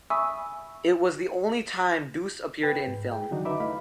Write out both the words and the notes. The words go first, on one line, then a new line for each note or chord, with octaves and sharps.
It was the only time Duse appeared in film.
E5 G#5 B5 C#6 D#6 E6
B4 G5
G#2
G#4 G5
D3 D#3 F#3 D4 D#4 F#4
D#4 B4 D#5 E5 B5 D6
A3 E4 F5 B5